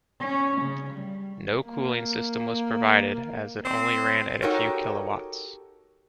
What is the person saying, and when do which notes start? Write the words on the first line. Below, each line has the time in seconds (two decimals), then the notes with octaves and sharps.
No cooling system was provided as it only ran at a few kilowatts.
0.19 C#4
0.62 C#3
0.94 G3
1.65 A#3
3.65 C4
4.42 D#4 F#4 G4 A4 A#4 C#5